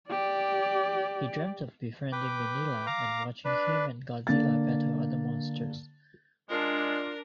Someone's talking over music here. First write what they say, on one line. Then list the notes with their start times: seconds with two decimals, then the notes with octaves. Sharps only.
He dreamt of befriending Minilla and watching him and Godzilla battle other monsters.
0.10 G4 D5
2.12 B4 G5 D6
2.86 F5 A#5 D6
3.45 D4 B4
4.27 D3 A#3 A6
6.50 G#3 D4 F4 A#4